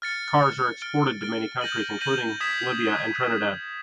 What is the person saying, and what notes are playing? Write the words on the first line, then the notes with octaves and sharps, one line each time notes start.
Cars are exported to many countries, including Libya and Trinidad.
F6 A6 C#7
F6 A6 C#7
F6 A6 D7 G7
F6 A6 D7 G7
G6 A#6 D#7 F#7
G6 A#6 D#7 F#7
D#6 G#6 B6 E7